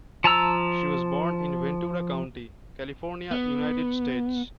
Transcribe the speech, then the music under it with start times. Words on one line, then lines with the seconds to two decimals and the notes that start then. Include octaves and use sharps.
She was born in Ventura County, California, United States.
0.24 F3 A5 A#5 E6
3.31 B3